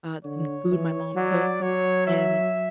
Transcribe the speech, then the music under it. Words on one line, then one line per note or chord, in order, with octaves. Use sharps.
uh, some food my mom cooked. And
D3 C#5
E3
F#3 D5
F#3 C#5
E5